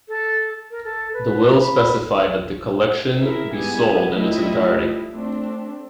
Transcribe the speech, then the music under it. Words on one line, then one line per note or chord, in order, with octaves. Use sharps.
The will specified that the collection be sold in its entirety.
A4
A#4
A4
B4
B5
E4 G#4 A#4 E5
G3 G#3 B3 E4 G4 G#5
F3 G3 A3 E4 D#5 E5
A3 C4 D4